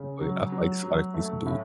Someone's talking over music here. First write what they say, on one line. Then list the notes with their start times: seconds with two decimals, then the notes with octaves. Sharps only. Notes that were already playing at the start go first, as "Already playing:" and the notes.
but, I finds finds things to do.
Already playing: C#3
0.21 F#3
0.52 F#3
0.83 F#3
1.14 A3
1.46 A2